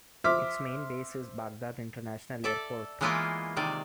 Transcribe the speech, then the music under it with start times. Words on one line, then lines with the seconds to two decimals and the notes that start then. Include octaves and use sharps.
Its main base is Baghdad International Airport.
0.24 C5 E5 D6 F6 B6
2.44 A4 D5 E5
3.01 E3 G#3 A#3 B3 E4 F4
3.56 C3 D#3 D5